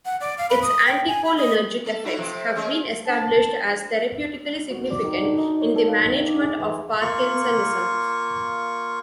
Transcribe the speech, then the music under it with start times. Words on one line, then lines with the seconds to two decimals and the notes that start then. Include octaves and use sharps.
Its anticholinergic effects have been established as therapeutically significant in the management of Parkinsonism.
0.06 F#5
0.21 D5
0.38 F5
0.50 B4
0.62 D#6
0.86 G5
1.07 G#5
1.25 B5
1.37 D#5
1.86 A4
2.04 D#4 E4 F#4
2.18 C3 F3
2.56 G#3 C#4 G#4
3.08 D4 C5 A5 E7
4.70 F#4
4.90 D5
5.04 D#3
5.22 D3
5.37 D#4
5.61 C#5
5.76 A4
5.88 F5
6.05 D#3
6.26 D6
6.41 G#4
6.60 E3
7.01 A#3 F4 C#6